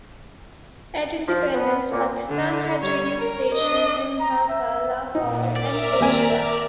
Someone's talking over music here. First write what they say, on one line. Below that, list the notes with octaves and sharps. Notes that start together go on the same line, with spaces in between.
At independence, Pakistan had radio stations in Dhaka, Lahore, and Peshawar.
F3
B3
A#2
D3
G3 C#5
A#4
D4 D#5
A#5
E5
A#2 D#4
A#4 D5 E5 A#5
D#2 C4 G#5